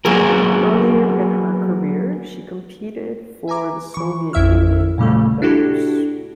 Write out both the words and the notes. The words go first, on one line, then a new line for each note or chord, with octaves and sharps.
Earlier in her career, she competed for the Soviet Union and Belarus.
F#3 A#3 B3 G#4 A#4
E5 G#5 A#5 D6
E3 C#6
A1 F2 E4 E5 E6 F6
A#2 C#3 G3 A3
D4 E4 F#4 G4 A4